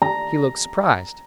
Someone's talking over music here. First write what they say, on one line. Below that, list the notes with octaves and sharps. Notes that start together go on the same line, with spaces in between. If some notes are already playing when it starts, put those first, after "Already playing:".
He looked surprised.
A#5